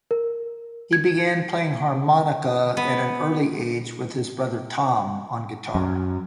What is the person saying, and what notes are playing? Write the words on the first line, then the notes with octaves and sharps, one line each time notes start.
He began playing harmonica at an early age with his brother Tom on guitar.
A#4
G#6
B3
F#2